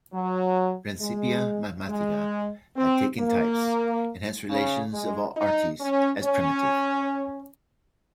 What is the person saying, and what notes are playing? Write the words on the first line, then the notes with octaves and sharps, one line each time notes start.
"Principia Mathematica" had taken types, and hence relations of all arities, as primitive.
F#3
G#3
G#3
C4
A#3
C#3
G#3
D#4
C#4
C#4